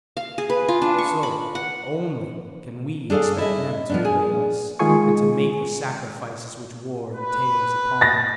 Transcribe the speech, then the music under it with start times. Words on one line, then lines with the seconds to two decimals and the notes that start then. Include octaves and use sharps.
So, only, can we expect them to obey us, and to make the sacrifices which war entails upon them.
0.17 F5
0.38 G#4
0.50 B4
0.68 F4
0.82 D4
0.98 C#6
1.23 B5
1.55 F#5
3.10 D4 G#4 A4 D5 F5
3.38 E4 D#5 E5
3.90 F3 B3 D4
4.05 G#4
4.79 D#3 G#3 F4 G#4 G#5 C#6
7.14 B4
8.01 A6 A#6